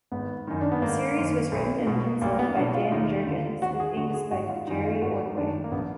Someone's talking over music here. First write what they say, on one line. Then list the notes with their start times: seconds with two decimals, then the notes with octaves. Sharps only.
The series was written and penciled by Dan Jurgens, with inks by Jerry Ordway.
0.12 G#1 B3
0.47 F#2 D#3 D#4
0.61 D4
0.72 B3
0.81 G#1 A#3
1.17 F#2 D#3
1.52 B1
1.87 B2
2.22 B1 A#3
2.39 B3
2.57 B2 D4
2.74 F4
2.92 D#2 D#4
3.27 D3 F4
3.62 D#2 F#4
3.80 G#4
3.97 D3 F#4
4.14 G#4
4.31 G#1 F#4
4.49 F4
4.67 D#3 D#4
4.70 F#2
4.85 F4
5.02 G#1 F#4
5.28 D#4
5.36 F#2 D#3 D4
5.64 A#3
5.72 A#1 B3